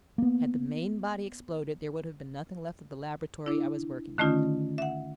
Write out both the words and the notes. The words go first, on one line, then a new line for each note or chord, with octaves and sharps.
Had the main body exploded there would have been nothing left of the laboratory I was working in.
A#3 B3
D4 E4
D3 D#3 A3 C#4 D#4 F4
E5 F#5